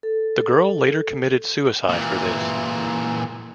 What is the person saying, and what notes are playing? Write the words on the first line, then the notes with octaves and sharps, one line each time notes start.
The girl later committed suicide for this.
A4
A#2 E3